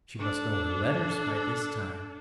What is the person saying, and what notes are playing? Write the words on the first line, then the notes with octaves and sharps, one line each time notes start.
She must know her letters by this time.
D4 A4